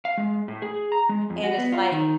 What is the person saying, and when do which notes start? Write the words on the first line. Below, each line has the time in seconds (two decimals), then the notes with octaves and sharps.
and it's, like,
0.05 F5
0.18 G#3
0.48 A2
0.62 G#4
0.92 A#5
1.09 G#3
1.30 F2
1.44 F#4
1.58 B3
1.73 F4
1.92 D#3